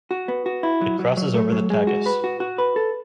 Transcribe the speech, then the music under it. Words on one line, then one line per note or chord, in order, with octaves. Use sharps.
It crosses over the Tagus.
F#4
B3
F#4
E4
F#3
F#3
F#3
A3
F#3
G#3
F#4
B4
F#4
F#4
B4
A4